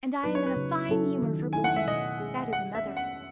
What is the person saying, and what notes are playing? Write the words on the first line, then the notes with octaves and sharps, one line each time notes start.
And I am in a fine humor for playing--that is another.
F#3 B3 D#4 F#4 B4
C#5
B4
C#3
F#3 C#4 E4 A4
D#3
A3 E4 A4 G#5
F#5
E5
B2 D#5
G#3 C#4 G#4
A3 F#5
E5
C#4 F#4
F#5